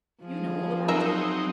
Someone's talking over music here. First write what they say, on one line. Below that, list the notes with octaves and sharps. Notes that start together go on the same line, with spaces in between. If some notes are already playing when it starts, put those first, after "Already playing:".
You know all about it.
F3 G#4
F#3 C4 D#4 A#4 E5